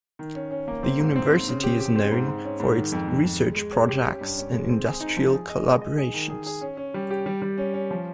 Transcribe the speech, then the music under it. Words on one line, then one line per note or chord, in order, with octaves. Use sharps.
The university is known for its research projects and industrial collaborations.
D#3
C#4
C#4
A#3
C4
G#2
C4
C4
C#3
G4
G4
C4
G#2
G#2
C#4
G#2
D#3
F2
F2
F2
G#3
G#3
C#5
G4
C#4
G2
C#4
G#3
C4
G#4
D#4
F3
G#4
D#5
G#3
D#5
G#4
D#3
G#4
G#4
C#4
C#4
G3
G4
G3
G3
C#4
C#4
F3